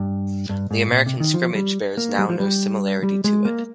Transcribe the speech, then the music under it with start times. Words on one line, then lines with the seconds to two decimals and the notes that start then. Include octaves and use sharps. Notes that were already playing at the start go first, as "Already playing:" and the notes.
The American scrimmage bears now no similarity to it.
Already playing: G2
0.49 G2
0.71 G#2
0.92 A#2
1.06 C3
1.20 D#3
1.34 F3
1.55 G3
1.97 A#3
2.19 G3
2.29 F3
2.40 G3
3.03 G3
3.24 G#3
3.45 A#3